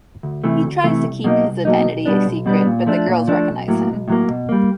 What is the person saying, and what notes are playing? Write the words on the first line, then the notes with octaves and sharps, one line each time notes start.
He tries to keep his identity a secret but the girls recognize him.
D2
C3 E3 A3
D2
C3 E3 A3
C2
B2 F#3 A#3 D#4
C2
B2 F#3 A#3 D#4
B1
B2 G3 B3 D4
B1
B2 G3 B3 D4
A#2
F3 A3 D4
A#2
F3 A3 D4
B1
A2 F#3 A#3
B1
A2 F#3 A#3
B2
G3 A#3